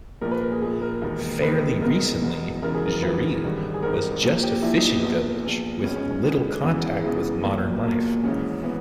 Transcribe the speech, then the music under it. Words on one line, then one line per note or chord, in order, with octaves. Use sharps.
Fairly recently, Jeri was just a fishing village with little contact with modern life.
A#1 A#2 A#4
B4
A#4
G#4
A#1 A#2 G#4
A#4
E1 D#2 D#3
E1 D#2 D#3 B4
E1 E2 B2 A#4
E1 E2 B2
E1 E2 C#3 E3 A#4
G#4
A#4
E1 E2 C#3 E3 B4
G#1 G2 D#3
G#4
G#1 G2 D#3 A#4
A#1 A#2
G4
A#1 A#2 E4
D#4
B3
A#1 A#2 B3
A#1 A#2
C#2 B2 C#4
C#4
C#4
C#2 B2 B3
E1 E2 C#3 E3
E1 E2 C#3 E3
B1 A#2 A#3
B1 A#2 A#3
G#1 G#2 E3 C#4
E3 B3